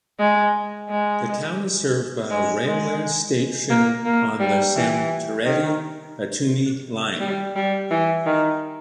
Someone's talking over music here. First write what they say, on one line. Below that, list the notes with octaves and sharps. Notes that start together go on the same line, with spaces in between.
The town is served by a railway station on the Samtredia - Batumi line.
G#3
G#3
G#3
G#3
A#3
A#3
G3
E3
D#3
G3
G3
E3
D#3